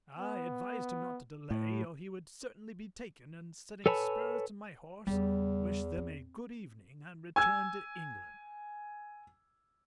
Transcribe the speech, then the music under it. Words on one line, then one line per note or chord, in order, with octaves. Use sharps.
I advised him not to delay, or he would certainly be taken, and setting spurs to my horse, wished them a good evening, and returned to England.
B3
A2
A4 B4 C#5 G#5 A5 B5
E2 C#3 G3
C4
G#5 E6 G#6